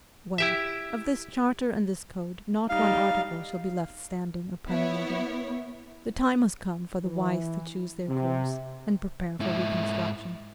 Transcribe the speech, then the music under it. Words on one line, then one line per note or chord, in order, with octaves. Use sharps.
Well! of this charter and this code not one article shall be left standing upon another! The time has come for the wise to choose their course, and prepare for reconstruction.
E4 G4 E5
G3 D#4 F5
B3 E4 C#5
E3
C3
G#2 E4